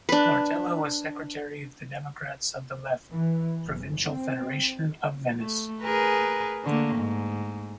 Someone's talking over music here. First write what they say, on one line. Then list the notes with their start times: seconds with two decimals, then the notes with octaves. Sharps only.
Martella was secretary of the Democrats of the Left provincial federation of Venice.
0.09 D4 B4
3.13 E3
3.64 F#1
4.06 C4
5.40 A3
5.82 G#4 A#4 B4
6.64 D3 A3 A#3
6.96 G#2